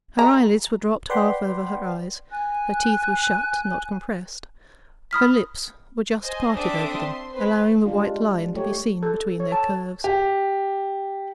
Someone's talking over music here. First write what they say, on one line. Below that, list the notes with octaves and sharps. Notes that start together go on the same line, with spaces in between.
Her eyelids were dropped half over her eyes; her teeth were shut, not compressed; her lips were just parted over them, allowing the white line to be seen between their curve.
A#5
B4 D5 F#5 G5 B5 C6
G#5 F#6
B5 D#6 F6 B6
C5 D#5 G#5
C4 D4 A4 E5 D6 D#6
C6
C4 B4 C5
G3 G#3 D4 F4
A3 G4 C#5
A4
C#5
A5
G4